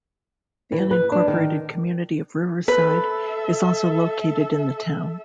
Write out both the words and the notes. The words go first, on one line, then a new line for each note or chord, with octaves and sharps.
The unincorporated community of Riverside is also located in the town.
E3
B4
D4
D#3
A4 B4 E5